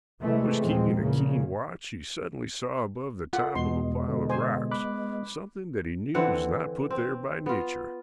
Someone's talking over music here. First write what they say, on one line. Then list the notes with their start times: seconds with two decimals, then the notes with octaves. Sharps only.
Always keeping a keen watch, he suddenly saw above the top of a pile of rocks something that he knew was not put there by nature.
0.20 C3 E3 G#3 A3
0.59 D#2 A#2 F3 G#3 C4
0.97 A#1 E2 A#2 C#3 A#3
3.33 F4 A4 A#4 F#5
3.55 E2 B2 G#3 B3 D#5 C6
4.08 B2 D3
4.30 C5 G#5
4.71 B5 D6 F#6
6.14 D3 E3 C4 F#5
6.90 C4
7.46 B3 F4